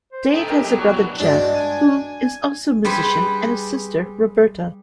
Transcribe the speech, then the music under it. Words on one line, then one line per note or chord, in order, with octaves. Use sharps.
Dave has a brother, Jeff, who is also a musician, and a sister, Roberta.
C5
A3 D#4 G#4 A4 G5
G4 A#4 E5
F#3 B3
D4 F#4
F#3 A#3 E4
G2 G#3 D4 F#4 D5
G#5
G3 G4 G#4 B4 C5